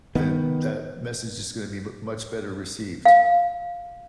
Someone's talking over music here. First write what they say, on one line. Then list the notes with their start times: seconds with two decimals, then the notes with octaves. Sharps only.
then that message is gonna be m much better received.
0.15 D#3 B3
3.05 F5